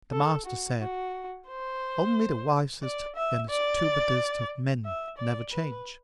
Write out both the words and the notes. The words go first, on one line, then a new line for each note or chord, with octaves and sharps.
The Master said, Only the wisest and stupidest of men never change.
A4
F#4
F#4
C5
D5
E5
D5
E5
D5
B4